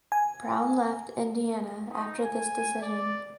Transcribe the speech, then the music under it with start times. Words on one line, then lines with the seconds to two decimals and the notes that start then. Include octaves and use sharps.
Brown left Indiana after this decision.
0.12 G#5
1.90 D#4
2.23 G#5
2.82 D5